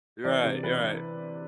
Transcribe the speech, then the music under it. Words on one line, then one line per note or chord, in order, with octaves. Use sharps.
You're right, you're right.
E3 D5
C3
E3 B4
E3